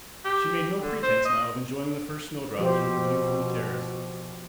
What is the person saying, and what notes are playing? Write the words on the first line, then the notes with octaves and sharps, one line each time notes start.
She made no pretence now of enjoying the first snowdrops or the view from the terrace.
G4
D3
C5
D#5
B2 F3 G4 C5